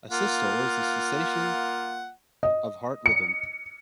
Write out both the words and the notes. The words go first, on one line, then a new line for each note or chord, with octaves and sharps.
Asystole is the cessation of heart rhythm.
A#3 F4 F#5
D#5
C#7